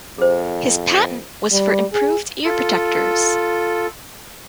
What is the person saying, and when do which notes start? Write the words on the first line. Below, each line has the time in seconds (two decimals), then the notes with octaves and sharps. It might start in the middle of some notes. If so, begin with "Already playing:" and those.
His patent was for improved ear protectors.
0.18 F2 G#4 C5
1.52 G3
1.93 G#4
2.45 F4 A4